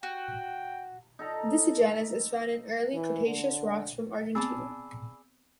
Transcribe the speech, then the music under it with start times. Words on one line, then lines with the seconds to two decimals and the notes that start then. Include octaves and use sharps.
This genus is found in Early Cretaceous rocks from Argentina.
0.03 F#4 G5
1.19 D#4 A4 A#5
2.94 E3
3.26 D3
4.35 B3 C4 G#4 D5 A5 B5 E6